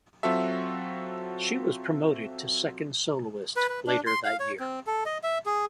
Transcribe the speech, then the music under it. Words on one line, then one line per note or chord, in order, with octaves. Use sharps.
She was promoted to second soloist later that year.
F#3 C4 F4 F#4 A4 E5
B4
B4
D4
C6
F5
C#5
C4
A4
D#5
E5
G#4